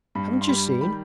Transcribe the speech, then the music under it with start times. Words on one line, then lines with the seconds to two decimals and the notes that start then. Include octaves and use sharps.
'Haven't you seen?
0.15 G2 B5
0.41 C6
0.48 G3 B5
0.81 D#3 B5